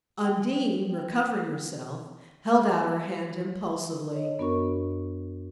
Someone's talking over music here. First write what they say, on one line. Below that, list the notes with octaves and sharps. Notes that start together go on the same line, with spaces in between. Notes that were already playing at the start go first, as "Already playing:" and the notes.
Undine, recovering herself, held out her hand impulsively.
G5
C#5 D#5
F#2 B3 D4 F#4 A#4 C#6